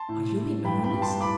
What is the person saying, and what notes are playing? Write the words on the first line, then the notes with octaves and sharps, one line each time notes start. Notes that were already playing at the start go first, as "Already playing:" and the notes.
"Are you in earnest?"
Already playing: A5 C6
A2
A2
G2 G5 B5
G5 B5
G2
A5 C6
A2 B5 D6